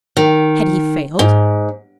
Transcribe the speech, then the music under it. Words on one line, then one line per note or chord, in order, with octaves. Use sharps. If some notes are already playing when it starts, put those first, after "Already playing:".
Had he failed?
D#3
G#2